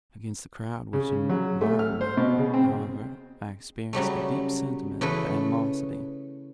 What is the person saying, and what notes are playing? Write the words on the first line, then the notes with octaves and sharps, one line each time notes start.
Against the crowd which environed me, however, I experienced a deep sentiment of animosity.
C#3
F#3
A3
F6
C5
B2
C#3
C4
C#3 F#3 G3 A3
C#3 E3 A3 A4 B4